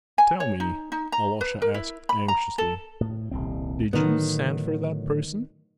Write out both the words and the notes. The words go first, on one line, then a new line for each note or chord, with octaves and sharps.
"Tell me," Alyosha asked anxiously, "did you send for that person?"
G#5
C#5
D#4
D#4
A#5
B4
A#4
E4
B5
A#5
A4
A2
D#1 C2 C4
A2 D3 D#3 F#3 B3